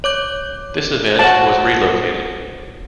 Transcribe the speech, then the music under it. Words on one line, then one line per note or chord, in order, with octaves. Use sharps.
This event was relocated.
C#5 D6 G6
F4 F#4 C5 C#5 A5